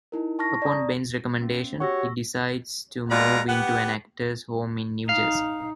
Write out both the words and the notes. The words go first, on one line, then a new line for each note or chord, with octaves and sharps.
Upon Ben's recommendation, he decides to move into an actors' home in New Jersey.
D#4 E4 A#4
A5 C#6 F6 A#6
D5 A#5 D#6
B3 C#4
F#4 G4 C#5 F#5 C#6 E6 A#6
B2 G#3 F4 D5 A#5
B3 G4 F#5
D#4 F5